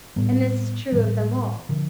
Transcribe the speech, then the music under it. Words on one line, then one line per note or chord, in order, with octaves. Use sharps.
And this is true of them all.
A2 G3 B3
A2 E3 G3
D3 F3